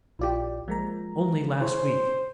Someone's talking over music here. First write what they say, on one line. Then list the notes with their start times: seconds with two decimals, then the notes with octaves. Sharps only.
Only last week!
0.19 A#1 E4 F4 G4 D5
0.68 F3 G#3 A#3 A#5
1.61 E4 G#4 C5 C#5